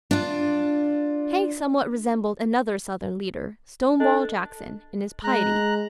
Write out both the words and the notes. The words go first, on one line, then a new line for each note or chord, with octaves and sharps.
Haig somewhat resembled another Southern leader, Stonewall Jackson, in his piety.
D4 F4
D4 A4 D#5
G#3 A#5 F#6